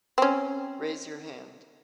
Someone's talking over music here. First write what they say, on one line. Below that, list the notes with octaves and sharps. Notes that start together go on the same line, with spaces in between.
Raise your hand.
C4 C#4